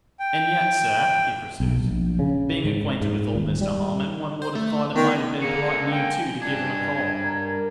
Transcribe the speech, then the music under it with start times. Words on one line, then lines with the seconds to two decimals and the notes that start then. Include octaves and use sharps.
'And yet, sir,' he pursues, 'being acquainted with old Mr Harmon, one would have thought it might have been polite in you, too, to give him a call.
0.19 G5
1.60 B1
1.84 A#1
2.19 C#3
2.65 G#2
3.01 G#2
3.35 D#1
3.61 G3
4.42 C5
4.55 A3
4.96 D#3 B3
5.42 D3 A#3 G#4 C#7
5.91 G5 G#5
6.42 G2 D4 G#6
7.23 A#4